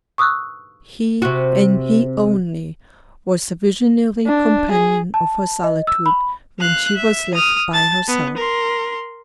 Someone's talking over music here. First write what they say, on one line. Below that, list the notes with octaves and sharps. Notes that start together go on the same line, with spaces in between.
He, and he only, was the visionary companion of her solitude when she was left by herself.
C#6 D#6 E6 F#6
C3 F#4
D4
G#4
A5
D#5
E6
B5
F5 F#6
E5
D#6 F6
A5 A6
B3
A#4 C6